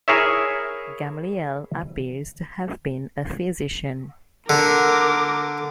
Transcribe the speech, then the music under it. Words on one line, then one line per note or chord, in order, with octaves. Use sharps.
Gamliel appears to have been a physician.
E4 G#4 A#4 C#5 E5
D3 A#4 D6